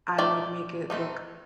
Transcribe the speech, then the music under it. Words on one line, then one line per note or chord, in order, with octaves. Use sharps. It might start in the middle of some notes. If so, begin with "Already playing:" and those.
I would make it look
D#3 A3 D5
D#3 A3 C4 D#4